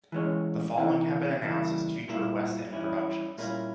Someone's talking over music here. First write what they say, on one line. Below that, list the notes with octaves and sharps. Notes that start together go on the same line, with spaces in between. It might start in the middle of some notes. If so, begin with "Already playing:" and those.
The following have been announced as future West End productions.
E3 G#3 C#4
C3 E3 A#3 E4
C#3 E3 G3 A#3 E4
A#2 G3 A#3 E4
E3 G3 C#4 E4
A#2 G3 A#3 C#4 E4